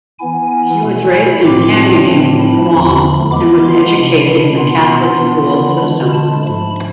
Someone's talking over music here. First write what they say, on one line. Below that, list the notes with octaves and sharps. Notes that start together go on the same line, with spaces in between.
He was raised in Tamuning, Guam and was educated in the Catholic school system.
E3 B3 E4 G#5
G#5
B2 A3 E4 G#5
B5
A2 F3 A3 C4 F4 D6
A5
A2 F3 A3 C4 E4
B5
E2 D3 F3 A3
B5
E3 G#3 B3 E4 D6
C6
C3 G#3 D4 B5
B2 B3 D4 F4 C6
C6
E3 B3 D4 F4
B5
D3 G#3 D4 F4 B5
A5
G#2 F3 A3 B5